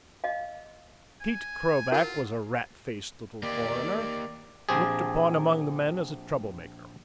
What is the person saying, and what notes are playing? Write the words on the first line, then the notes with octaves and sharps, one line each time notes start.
Pete Krovac was a rat-faced little foreigner, looked upon among the men as a trouble-maker.
D#5 F5
G#5
E4 F4 A#4 F#5
A#3 G4 D5
A#1 C4 G4 G#4